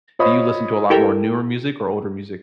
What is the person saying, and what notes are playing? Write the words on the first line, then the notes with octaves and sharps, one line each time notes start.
Do you listen to a lot more newer music or older music?
F4 C5 C#5 D#5 B5 D#6
E4 G4 A4 A#4 G5